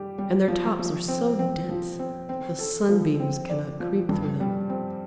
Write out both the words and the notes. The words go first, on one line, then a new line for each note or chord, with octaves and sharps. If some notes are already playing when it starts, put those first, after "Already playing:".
And their tops are so dense that the sunbeams cannot creep through them.
Already playing: G3 G4
G3
F3
F3
C4
C4
F3
C4
C4
A4
F3
C4
D5
F3
G2
G3
C4